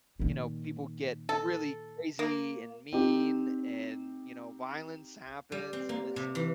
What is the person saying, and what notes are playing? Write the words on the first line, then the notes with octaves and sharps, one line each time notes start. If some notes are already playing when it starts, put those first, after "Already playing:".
you know, people get really crazy and mean and, you know, violence happens, and it's
A#2 D#3
A4
A#3
C4 D#4 G4
G3
C4
A#3
C3
E3